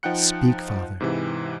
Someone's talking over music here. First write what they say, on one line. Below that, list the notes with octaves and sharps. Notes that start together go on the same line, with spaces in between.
Speak, Father.
F3 D#4 F#5 G5 F#6 C#7
G#2 C3 E3